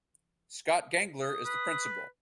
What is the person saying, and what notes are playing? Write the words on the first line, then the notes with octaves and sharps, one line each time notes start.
Scott Gengler is the Prinicpal.
D#6
B4